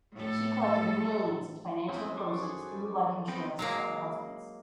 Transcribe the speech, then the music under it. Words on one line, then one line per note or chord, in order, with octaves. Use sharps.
She collected millions of financial proceeds through life insurances of her husbands.
A2 A4
F#2 G#3 C4 C#4 E4
A4 C5 C#6 D6
G#4
B3 C4 D#4 B4 G5
F#3 G#3 A#3